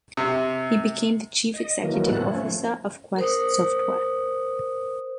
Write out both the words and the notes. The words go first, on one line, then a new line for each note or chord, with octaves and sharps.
He became the Chief Executive Officer of Quest Software.
C3
D#5
D#3 E3 F#3 A#3
A2 C3 G3 B3 A4 F#6
F3 A3 C#4
A#4 C5 D#6